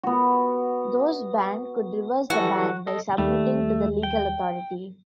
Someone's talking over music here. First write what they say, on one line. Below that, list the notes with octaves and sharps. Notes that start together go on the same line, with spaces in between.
Those banned could reverse the ban by submitting to the legal authority.
B3 F#4
E3 G3 F#4 A4
A4 D#5
D#2 G3 A3
G5